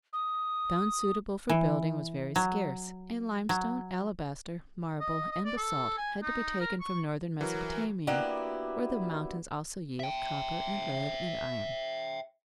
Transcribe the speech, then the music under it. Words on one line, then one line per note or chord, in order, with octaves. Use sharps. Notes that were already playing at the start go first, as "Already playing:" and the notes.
Stone, suitable for building, was very scarce, and limestone, alabaster, marble, and basalt had to be taken from northern Mesopotamia, where the mountains also yield copper and lead and iron.
D#6
E3
F#3
F#3
D#5
D#5
D5
A4
G#5
D#4
A#4
C#6
E3 F#3 A#4
A#3 B3 D4 E4 F#4 G4
E5 G5